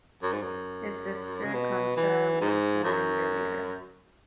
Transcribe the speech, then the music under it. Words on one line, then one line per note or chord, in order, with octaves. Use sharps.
His sister, Concha, was born a year later.
F#2
G#2
F#2
C#3
B2
E3
G#2
F#2